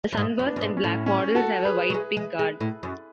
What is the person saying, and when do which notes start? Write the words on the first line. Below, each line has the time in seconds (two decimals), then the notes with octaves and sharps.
The sunburst and black models have a white pick guard.
0.13 F#2
0.17 G#2
0.39 F#2
0.46 B3 D4
0.56 F#2
0.61 G#2
0.77 C#4
0.84 A2
1.06 C#4
1.35 F#4 A4
1.65 G#4 B4
1.90 F#3
1.94 G#3
2.17 G#3
2.39 G#3
2.60 A2
2.83 F#2